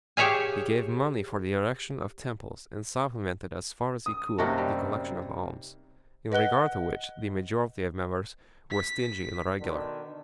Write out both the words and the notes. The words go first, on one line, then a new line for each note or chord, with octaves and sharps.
He gave money for the erection of temples and supplemented as far as he could the collection of alms, in regard to which the majority of members were stingy and irregular.
G4 G#4 C#5 E5 F5 G#5
D#6
F#2 C3 A#3 D#4 F#4 A5
G3
B4 D#5 F#5 F#6 G7
B6
B2 D3 D#3